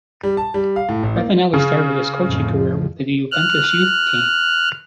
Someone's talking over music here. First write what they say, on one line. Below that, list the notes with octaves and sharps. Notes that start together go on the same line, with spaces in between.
Ravanelli started his coaching career with the Juventus youth team.
G3
A5
G3
F5
A2
A1
A#3
C#3
F2 A2 F3
F6 F#6